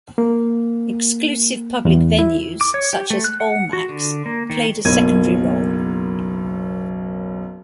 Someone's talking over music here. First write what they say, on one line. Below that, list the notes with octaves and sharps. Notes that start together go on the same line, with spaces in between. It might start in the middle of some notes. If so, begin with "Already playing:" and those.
Exclusive public venues such as Almack's played a secondary role.
A#3
E2
E4
D6
C#5
G4
A3
F#6
F#5
F#4
D3
A#3
D#3
F#1 B1 A#3 G#6 D#7